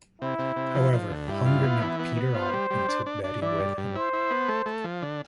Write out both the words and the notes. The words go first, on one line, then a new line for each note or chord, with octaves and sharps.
However Hunger knocked Peter out and took Betty with him.
C3 E4
C3
C3
F3
F3
D2
G2 E4
F4
B3
E3
B3
B3
F4 C5
G3
G3
D4
D4
D4
E3 D5
G2
G2
E4 C5
E4
B3
A3
A3
F3
D3